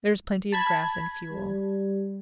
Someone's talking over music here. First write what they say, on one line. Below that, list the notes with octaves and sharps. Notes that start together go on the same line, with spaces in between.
There is plenty of grass and fuel.
A5 B5 G#6
G3